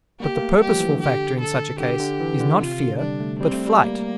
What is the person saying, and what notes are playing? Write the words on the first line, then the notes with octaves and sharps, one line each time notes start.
But the purposeful factor in such a case is not fear but flight.
A#3 G4
A#3
A3
G3 G4
F3
E3
D3
G4
A4
D3 G4
D3
E3
D3
C3 F4
D3
G3 D4
A3
G3 C4
A3
G3
A#3